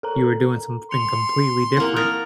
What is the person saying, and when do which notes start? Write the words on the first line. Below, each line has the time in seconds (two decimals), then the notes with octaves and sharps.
you were doing something completely different,
0.03 A4 A#4 A#5
0.91 C6 C#7 F7
1.77 A#3 C4 E4 F#5 A#5
1.96 A#4 D#6 F6 A6